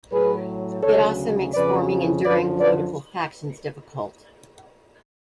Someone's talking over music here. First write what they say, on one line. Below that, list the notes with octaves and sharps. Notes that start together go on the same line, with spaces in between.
It also makes forming enduring political factions difficult.
A2 F#3 G#4 B4
D2 C#3 F#3 A4 C#5
F2 C#3 F3 B4 D5
F#2 D3 F3 B4 D5
B4 D5